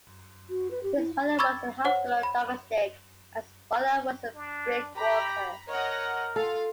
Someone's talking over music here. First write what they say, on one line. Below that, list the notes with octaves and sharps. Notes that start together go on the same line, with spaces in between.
His mother was a hospital domestic and his father was a brickworker.
F#4
B4
G4
E4
B5 C#6 D6 E6 G#6 A6
C5 C#5 F#5
B5
D4
G4 A#5 B5
A#4 C#5 D#5 F#5
F4 A4 F5